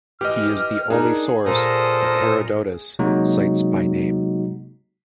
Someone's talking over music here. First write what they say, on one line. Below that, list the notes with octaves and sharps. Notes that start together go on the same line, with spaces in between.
He is the only source that Herodotus cites by name.
E3 G4 D#5 F6
D4 D#4 G#4 A#4
A#2 A4 A#4 C5 D#6
C3 F#3 G#3 A#3 D#4 F#4